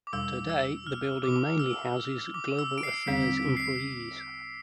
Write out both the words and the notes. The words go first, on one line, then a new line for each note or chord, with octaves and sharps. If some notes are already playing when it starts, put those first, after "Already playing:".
Today the building mainly houses Global Affairs employees.
D6
E2 B2 G3 E6
E6
F6
D6
E6
D6
E6
D7
C7
E2 D3 G3 C4 B6
C7